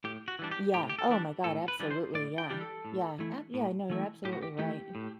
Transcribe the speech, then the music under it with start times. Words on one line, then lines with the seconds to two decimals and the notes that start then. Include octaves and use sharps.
Yeah, oh my god, absolutely, yeah. Yeah, eh yeah, no, you're absolutely right.
0.04 A2 G4
0.28 F#4
0.39 E3 G3 D4
0.51 G4
0.74 A2 G4
0.89 G4
0.98 A4
1.09 E3 G3 D4
1.44 A2 A4
1.68 B4
1.80 E3 G3 D4
1.91 C5
2.14 A2 D5
2.38 G5
2.50 E3 G3 D4 G4
2.61 A4
2.85 A2
3.19 E3 A3 E4
3.54 A2
3.90 E3 A3 E4
4.25 A2 G4
4.33 F#4
4.42 G4
4.59 E3 A3 E4 G4
4.95 A2